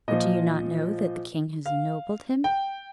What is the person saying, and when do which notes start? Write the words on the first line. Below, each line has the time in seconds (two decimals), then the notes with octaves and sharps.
But do you not know that the king has ennobled him?
0.08 A#2 F3 D#5
1.66 F5
2.44 G5